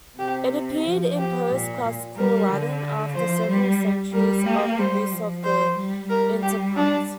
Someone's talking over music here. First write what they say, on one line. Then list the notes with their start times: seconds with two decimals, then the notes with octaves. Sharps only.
It appeared in Post-classical Latin after several centuries of the use of the interpunct.
0.18 C3 G4
0.85 F3
1.17 G4
1.50 A#2
2.16 G3 A#4
2.49 D3
3.15 F3 C5
3.48 G3
4.12 G3 A#4
4.45 A#3 G4
4.78 G3 C5
5.12 F3
5.44 C5
5.76 G3
6.10 G3 A#4
6.42 G4
6.76 D4